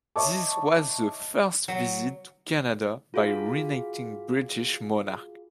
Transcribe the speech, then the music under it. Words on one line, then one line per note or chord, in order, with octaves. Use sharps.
This was the first visit to Canada by a reigning British monarch.
C#5 D#5 E5 A5 C#6 D6
F#3
F4 F#4 G#4 F5 B6